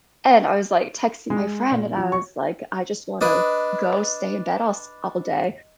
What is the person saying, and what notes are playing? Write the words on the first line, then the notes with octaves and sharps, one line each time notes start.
and I was, like, texting my friend, and I was, like, I, just, wanna go stay in bed all s all day,
G#3
A#2
F3
C#6
D4 B4 D#5